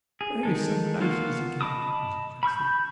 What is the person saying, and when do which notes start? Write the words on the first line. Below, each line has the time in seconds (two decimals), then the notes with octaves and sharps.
"Play some nice, easy game," he suggested.
0.21 G#4
0.43 D#3 G#3 A4
1.01 F#3 A#3 B3 F4 F#4
1.61 D#5 A5 B5 D6 D#6
2.43 B5 C#6 E6 G6